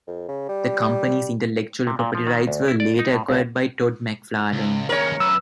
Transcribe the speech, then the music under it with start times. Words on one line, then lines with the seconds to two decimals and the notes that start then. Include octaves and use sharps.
The company's intellectual property rights were later acquired by Todd McFarlane.
0.07 F2
0.28 C#3
0.49 G3
1.87 C3
1.99 A#2
2.15 F3
2.27 D#3
2.47 D2
2.68 E4
2.80 D5
2.99 D#4
3.12 A2
3.29 C#2
4.52 C#2
4.89 D#2 C#3 A#4 C#5
5.20 F#2 B4 E6